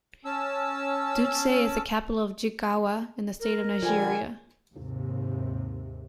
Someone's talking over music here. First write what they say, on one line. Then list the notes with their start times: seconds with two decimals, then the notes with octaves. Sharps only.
Dutse is the capital of Jigawa state of Nigeria.
0.25 C#4 A5 E6
3.40 A#4
3.83 D3 F3 G3 G#5
4.73 D#2 G#2 C3